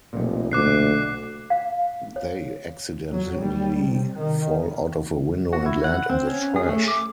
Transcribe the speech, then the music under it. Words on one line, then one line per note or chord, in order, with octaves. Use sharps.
They accidentally fall out of a window and land in the trash.
F1 B1 A#2
D2 D6 F#6 C7
F5
C#5
F#3
G3
C3
D#3
F#4
E4
F#5
C4
C#4
G#4
A3
D6